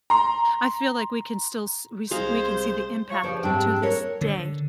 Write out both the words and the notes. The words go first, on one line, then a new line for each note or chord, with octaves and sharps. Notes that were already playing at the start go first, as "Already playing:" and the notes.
I feel like we could still s we s we can see the impact to this day,
A#5 C6
C2 G#3 C5 F5 A#5
F4 C#5 C#6
G2 C#3 F3 C5 D5
G#2 C3 G3 C4 D4 G5
A4 A#4 C#5
D3